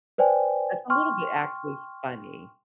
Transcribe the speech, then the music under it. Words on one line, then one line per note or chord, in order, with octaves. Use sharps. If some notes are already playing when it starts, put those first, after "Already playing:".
That's a little bit actually funny.
B4 C5 D5 G5 G#5
G5 C6 C#6 F6